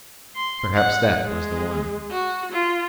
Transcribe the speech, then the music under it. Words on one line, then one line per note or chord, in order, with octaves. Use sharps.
Perhaps that was the one.
C6
F#5
G#3
F#4
F4